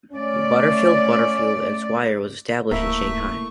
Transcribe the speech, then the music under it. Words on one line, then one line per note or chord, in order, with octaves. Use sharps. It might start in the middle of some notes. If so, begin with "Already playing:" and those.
Butterfield, Butterfield and Swire was established in Shanghai.
A3 C#4 D5
D1 A3 A#3 E4 E5 C#6